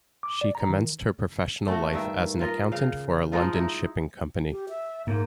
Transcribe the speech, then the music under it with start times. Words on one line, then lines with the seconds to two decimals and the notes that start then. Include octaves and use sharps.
She commenced her professional life as an accountant for a London shipping company.
0.23 D6
0.41 D5
0.55 A#5
0.69 D#3
1.67 A3 F#4
1.93 G2 D#3 E5
2.40 F4 A#4 D#5
2.72 C#3 F5
3.32 F3 G#3 D#4 F4
3.54 D#4 E4
4.51 G4
4.69 E5
5.07 G#2 A#3